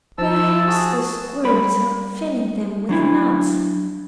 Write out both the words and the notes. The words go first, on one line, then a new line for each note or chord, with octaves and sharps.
"Perhaps the squirrels are filling them with nuts."
F3 A5 E6
F#4 G#4 A5
G3 A#4 B5
F#3 D4 E4